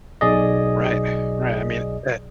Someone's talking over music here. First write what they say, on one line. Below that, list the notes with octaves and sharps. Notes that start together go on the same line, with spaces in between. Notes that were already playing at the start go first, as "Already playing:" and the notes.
Right, right. I mean, at
B1 G#4 D5 D#5